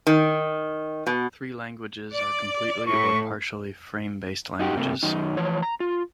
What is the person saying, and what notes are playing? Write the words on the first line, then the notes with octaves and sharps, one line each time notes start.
Three languages are completely or partially frame-based languages.
D#3
B2
D5
A2 C#6
D#4 F#4 G4
C3 A3 A#3
F#2 D#3 D#4
E3 F3 C#5
A#5
F4